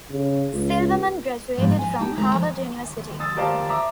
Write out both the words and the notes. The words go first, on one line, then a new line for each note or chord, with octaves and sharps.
Silverman graduated from Harvard University.
C#3
C#2
G#2 F3 G3 B3 D4
G#5
D#4 G4 G5 A5
D2 G#3 A#3 A#5
F3
D#6 E6 A6
G4 A#4 C5 D5 F5 A5
E5 A#5 D6